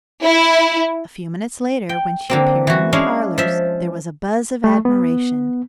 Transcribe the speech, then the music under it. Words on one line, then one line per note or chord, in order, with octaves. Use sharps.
A few minutes later, when she appeared in the parlours, there was a buzz of admiration.
E4
G5
D3 A#3 C4
E3 F#4
G#3 C#4 D4 E4 F5
F3 E5
A3
B3